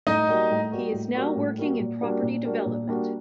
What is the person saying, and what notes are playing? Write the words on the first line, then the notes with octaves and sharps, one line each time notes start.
He is now working in property development.
A2 D#4 D#5
G3 A#3 F#4
A2
G3 A#3 F#4
A2
G3 A#3 F#4
A2
G3 A#3 F#4
A#2
G3 A#3 D4 F#4
A#2
G3 A#3 D4 F#4
A#2
G3 A#3 D4 F#4